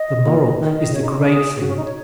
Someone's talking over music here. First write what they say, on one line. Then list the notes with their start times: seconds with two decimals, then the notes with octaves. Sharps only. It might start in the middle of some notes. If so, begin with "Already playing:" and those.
The moral is the great thing.
Already playing: D#5
0.26 A#2
0.60 D#3
0.77 D#5
0.93 C#3 C#5
1.02 D#4
1.10 C#4
1.19 D#4
1.27 G#4
1.55 G#4
1.60 C#3 F#4
1.68 C#4
1.77 D#4
1.85 C#5